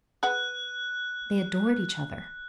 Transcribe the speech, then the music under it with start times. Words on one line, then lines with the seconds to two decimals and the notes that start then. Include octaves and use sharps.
They adored each other.
0.23 G#4 B4 F#5 F#6